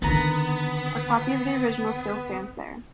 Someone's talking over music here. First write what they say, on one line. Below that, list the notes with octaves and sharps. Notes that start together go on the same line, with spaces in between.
A copy of the original still stands there.
D3 D#3 B3 A#5 A6